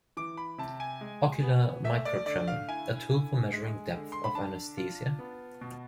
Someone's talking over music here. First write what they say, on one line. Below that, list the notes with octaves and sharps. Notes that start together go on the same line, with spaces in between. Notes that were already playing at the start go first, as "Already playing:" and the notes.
Ocular microtremor: a tool for measuring depth of anaesthesia?
E3 D6
B5
C3 A5
G#5
G#3
B3
A3 E5
D5
D3 D5
F5
E4 G#5
D3
G#3
D3
C6
B5
D4 A5
F4
B3
B2